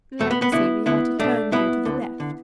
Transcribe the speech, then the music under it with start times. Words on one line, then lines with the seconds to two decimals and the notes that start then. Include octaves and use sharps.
Let me see;--we are to turn here to the left.
0.20 E2 B2 A3
0.31 B3
0.42 B3
0.52 D2 D3 B3 E4
0.86 D2 D3 B3 E4
1.19 B1 B2 A3 D4
1.51 B1 B2 B3 E4
1.85 D2 D3
2.20 D3